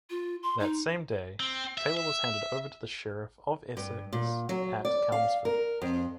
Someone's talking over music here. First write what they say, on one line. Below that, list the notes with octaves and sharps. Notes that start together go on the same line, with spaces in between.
That same day, Taylor was handed over to the sheriff of Essex at Chelmsford.
F4
C6
D#4
C4
E5
E5
G2
A#2
F#3
D5
F5
A#4
F2